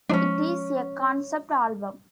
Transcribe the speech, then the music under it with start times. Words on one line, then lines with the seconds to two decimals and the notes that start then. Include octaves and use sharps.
It is a concept album.
0.09 F3 G#3 C#4 D4